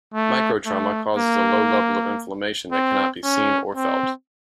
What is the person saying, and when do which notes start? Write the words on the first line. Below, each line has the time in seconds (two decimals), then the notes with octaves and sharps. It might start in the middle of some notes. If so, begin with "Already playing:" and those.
Most microtrauma cause a low level of inflammation that cannot be seen or felt.
0.14 A3
0.66 A3
1.17 A#3
2.72 C4
3.24 C#4
3.75 C4